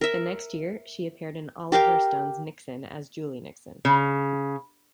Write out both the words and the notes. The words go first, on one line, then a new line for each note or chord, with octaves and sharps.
The next year, she appeared in Oliver Stone's "Nixon" as Julie Nixon.
A#4 E5
G4 A#4 F5 G5
C#3